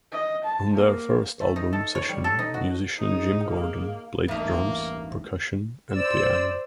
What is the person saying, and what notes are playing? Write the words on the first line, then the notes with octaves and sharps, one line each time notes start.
On their first album session musician Jim Gordon played drums, percussion, and piano.
D#5
A5
A#3
A3
D#4
A4
C#5
G3
A4
D#4
F#4
D#4 G#4
A#3
A1 E2 G2 A3 A#3 D#4
C5 D5 E6